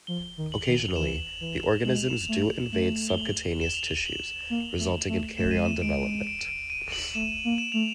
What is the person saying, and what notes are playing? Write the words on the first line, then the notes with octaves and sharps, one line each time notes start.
Occasionally the organisms do invade subcutaneous tissues, resulting in kerion development.
F3 G7
D#3
F#7
D#3 F7
F#7
E3 E7
E3
G#3 F#7
F7
E7
F7
A3
A3 F#7
G7
F#7
E7
F7
F#7
F#7
F#7
A#3
A3
A3
A3 E7
G#3 D#7
A3 E7
G#3 D7
D7
D#7
D7
D#7
F#7
A3 E7
A#3
E7
A3 F7